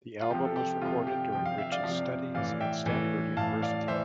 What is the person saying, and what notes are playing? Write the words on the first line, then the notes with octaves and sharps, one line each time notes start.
The album was recorded during Rich's studies at Stanford University.
F4
C3 F3 G4
A4
G4
C3 F3 F4
G4
C3 F3 G5
F5
E5
D5 F5
C3 F3
A2 E3 D5 F5
E5 G5
A2 E3
A2 E3 F5 A5
D5 F5
E3 C5 E5